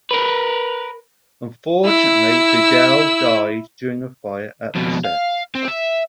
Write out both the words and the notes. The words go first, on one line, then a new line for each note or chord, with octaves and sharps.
Unfortunately Fidel died during a fire at the set.
A#4 B4
E4 E6
F2 B2
F5
C4
E5